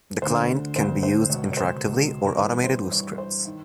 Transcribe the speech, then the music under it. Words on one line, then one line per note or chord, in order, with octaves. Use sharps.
The client can be used interactively or automated with scripts.
D2 D3 C5
D2 D3 C5
C5
C#2 B2 C#5
C#5
C5
C#2 B2
A#4
G2 E3 B4
C5
G2 E3 C#5
C5
D#3